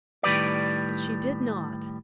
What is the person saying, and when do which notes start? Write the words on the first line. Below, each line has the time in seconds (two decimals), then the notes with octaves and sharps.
But she did not.
0.23 A2 D#3 G3 B4 D5